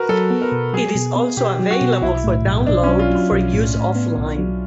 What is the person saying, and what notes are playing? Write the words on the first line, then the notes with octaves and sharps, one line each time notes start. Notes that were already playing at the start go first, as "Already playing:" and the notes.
It is also available for download for use off-line.
Already playing: F#4 A#4 B4
F#3 A4
B3
A#4
B2
F#3 G#4
B2
B3
B2 G4
F#3
F#4
B2
B1 E4
A2
B1
B1 D4
F#3 C#4
F4
F#3
F4
B1
A2
A2
B3
B1
F#3